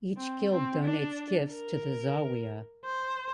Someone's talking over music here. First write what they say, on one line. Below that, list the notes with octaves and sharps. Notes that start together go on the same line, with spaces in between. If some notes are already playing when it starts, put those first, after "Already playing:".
Each guild donates gifts to the zawiya.
C4
C4
D4
A#4
C5